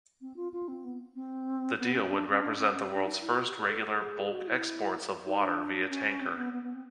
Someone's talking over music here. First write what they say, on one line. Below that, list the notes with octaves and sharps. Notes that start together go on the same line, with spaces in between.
The deal would represent the world's first regular, bulk exports of water via tanker.
C4
F4
F4
C4
B3
C4
B3
C#4
D4
C#4
D4
C#4
C#4
D4
D#4
E4
F4
G4
G#4
A4
G#4
F#4
E4
D#4
D4
C#4
C4
B3
B3
B3
C4